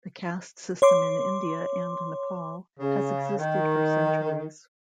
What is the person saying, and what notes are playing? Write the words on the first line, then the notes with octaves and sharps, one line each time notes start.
The caste system in India and Nepal has existed for centuries.
C#5 C6 D6
C#3
D#3